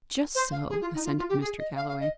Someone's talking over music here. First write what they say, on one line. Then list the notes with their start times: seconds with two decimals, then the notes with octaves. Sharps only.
"Just so," assented Mr. Galloway.
0.34 C5
0.51 F5
0.69 G#4
0.81 F4
0.94 D#4
1.04 F4
1.17 F4
1.29 G4
1.40 G#4
1.58 D#5
1.76 F5
1.88 F5
2.00 D#5